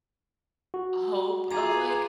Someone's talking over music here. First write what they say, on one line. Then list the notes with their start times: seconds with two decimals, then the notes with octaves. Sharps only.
hope of, like
0.74 F#4
1.51 F4 G#4 A#5 D6